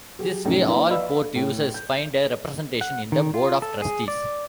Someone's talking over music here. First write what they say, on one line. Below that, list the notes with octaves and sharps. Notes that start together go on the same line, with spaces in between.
This way all port users find a representation in the Board of Trustees.
F#3 G4 G#4
F1 A2 F#3 C#4 D#4
A#3 D4 E4 B4
B4 D5 D#5 F5 B5 E6
A2
G6
F#5
D#3
F4
A4
G#4
D5